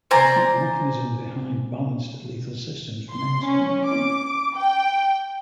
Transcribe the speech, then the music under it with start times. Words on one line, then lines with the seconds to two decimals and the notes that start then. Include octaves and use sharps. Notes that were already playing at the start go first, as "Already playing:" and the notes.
The exact mechanism behind balanced lethal systems remains unknown.
0.11 C5 D5 G#5 A#5
3.11 C6
3.45 C#4
3.84 D6
4.56 G5